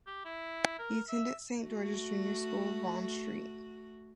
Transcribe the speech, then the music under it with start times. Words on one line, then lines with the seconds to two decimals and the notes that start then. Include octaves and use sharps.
He attended Saint George's Junior School, Vaughan Street.
0.07 G4
0.25 E4
0.79 A#4
1.09 E5
1.60 A3 F#4